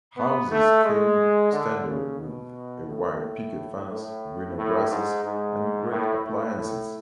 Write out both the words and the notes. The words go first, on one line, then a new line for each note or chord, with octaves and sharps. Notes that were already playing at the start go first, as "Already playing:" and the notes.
Houses came standard with a white picket fence, greener grasses, and great appliances.
B3
A3
G#3
D3
C#3
B2
A2
A2
A2
G#2
G#2
A2
A2